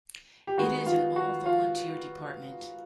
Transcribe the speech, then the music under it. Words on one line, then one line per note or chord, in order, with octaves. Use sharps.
It is an all volunteer department.
G4
D#3 G#3 B3 F#4
F4
F#4
F4